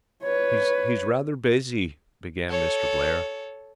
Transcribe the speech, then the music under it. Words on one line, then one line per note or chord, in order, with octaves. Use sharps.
"He's--he's rather busy," began Mr. Blair.
B4 C#5
A4 C#5